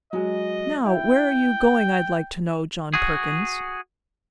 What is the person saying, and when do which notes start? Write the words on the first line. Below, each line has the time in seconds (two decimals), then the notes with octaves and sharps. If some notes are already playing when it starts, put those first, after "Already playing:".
"Now, where are you going, I'd like to know, John Perkins?"
0.13 F#3 G#3 D#5
0.85 E4 G5
2.94 F#4 G#4